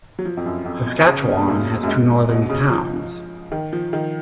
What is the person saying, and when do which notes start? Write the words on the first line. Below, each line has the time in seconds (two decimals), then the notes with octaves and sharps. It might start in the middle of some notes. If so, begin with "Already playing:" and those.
Saskatchewan has two northern towns.
0.19 F#3
0.25 F3
0.37 F2
0.46 F#2
0.65 F2
0.86 B2
1.07 C#3
1.28 B2
1.37 A#2
1.48 F#2
1.83 F#2
1.88 G#2
2.29 B2
2.49 C#3
2.70 F3
3.52 D#3
3.73 F3
3.93 D#3